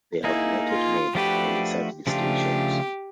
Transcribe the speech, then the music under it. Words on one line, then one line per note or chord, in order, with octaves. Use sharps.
They have not yet made any such distinctions.
A#3 D#4 E4 G#4
F4
F3 A3 D4 F#4 G4 B4
C#3 F3 A3 D4 F4 G4